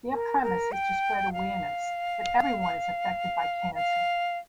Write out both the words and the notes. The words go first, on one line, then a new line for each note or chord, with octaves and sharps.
Their premise is to spread awareness that everyone is affected by cancer.
A#4
A#4
G5
F5
F5